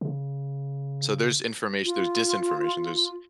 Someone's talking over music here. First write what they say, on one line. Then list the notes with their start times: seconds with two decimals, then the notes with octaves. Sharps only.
so there's information, there's disinformation, there's
0.01 C#3
1.85 F4